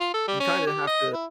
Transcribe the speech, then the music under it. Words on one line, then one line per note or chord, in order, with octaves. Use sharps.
you kind of have to
F4
A4
G3
C#4
G4
D#5
E4